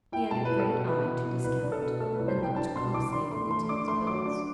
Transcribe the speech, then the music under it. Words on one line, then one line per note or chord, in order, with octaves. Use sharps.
He had a great eye to discount, and looked closely into his bills.
E4 G5
B2 A5
B4
E4
A4
B2
E4 B4
B2
B2
C2 B4
D4
A4
B2
A3 A4
B4
C2
C5
C2
G5
D4 A5
B2 C6
C2 D6
D4 C6
A3 C6
A3 C6
D4 D6
A3 C6
F#3 D6
D4